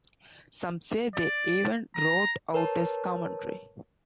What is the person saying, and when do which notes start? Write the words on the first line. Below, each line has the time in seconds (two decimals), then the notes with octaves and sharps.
Some say they even wrote out his commentary.
1.15 D5
1.96 A#5
2.54 A#4 B4 C#5 A5